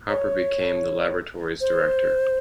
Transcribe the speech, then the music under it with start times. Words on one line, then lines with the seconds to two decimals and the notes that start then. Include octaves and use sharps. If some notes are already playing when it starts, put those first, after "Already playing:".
Hopper became the laboratory's Director.
0.08 C#5
1.61 C5